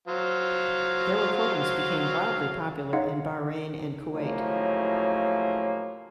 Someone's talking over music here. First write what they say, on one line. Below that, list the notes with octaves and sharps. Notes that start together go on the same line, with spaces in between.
Their recordings became widely popular in Bahrain and Kuwait.
F#3 C5 F5
D#4 C#5 D#5 F5 F#5 C6
A2 C#3 F3 F#3 A#3 D#4